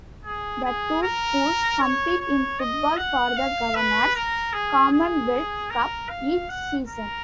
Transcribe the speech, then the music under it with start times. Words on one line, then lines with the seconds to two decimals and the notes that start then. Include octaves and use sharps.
The two schools compete in football for the Governor's "Commonwealth Cup" each season.
0.24 G#4
0.64 G#4
1.03 A#4
1.81 C#5
2.19 C#5
2.59 D#5
2.97 F#5
3.37 F5
3.75 B4
4.15 A#4
4.53 G#4
4.92 G#4
5.70 A#4
6.09 F5
6.49 F#5
6.87 A#4